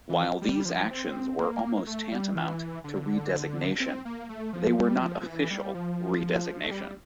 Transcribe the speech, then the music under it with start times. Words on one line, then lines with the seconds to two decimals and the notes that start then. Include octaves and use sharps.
While these actions were almost tantamount to redesignation, they were not official redesignation.
0.09 E3
0.42 G3
0.65 F3
0.90 C4
1.39 A#3
1.87 A3
2.12 G3
2.35 E3
2.84 D3
3.80 C4
4.05 A#3
4.29 A3
4.53 F3
4.78 G3
5.01 F3
5.21 F3
5.26 E3
5.50 G3
5.74 F3
6.63 A3
6.71 G3